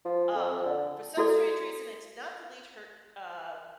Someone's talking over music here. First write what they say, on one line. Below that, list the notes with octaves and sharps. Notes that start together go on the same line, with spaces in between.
Um, for some strange reason, I did not delete her, uh
F3
F2
F2
D3
E4 F#4 A4 D5